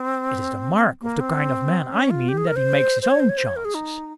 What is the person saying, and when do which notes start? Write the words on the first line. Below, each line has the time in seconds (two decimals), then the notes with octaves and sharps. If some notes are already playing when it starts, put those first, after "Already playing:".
It is the mark of the kind of man I mean that he makes his own chances.
Already playing: C4
1.02 A#3
1.20 C4
1.92 C#4
2.10 F4
2.28 G4
2.38 G#4
2.47 A#4
2.56 C5
3.02 C5
3.11 C#5
3.20 C5
3.29 C#5
3.37 C5
3.47 C#5
3.56 A#4
3.65 G#4
3.74 D#4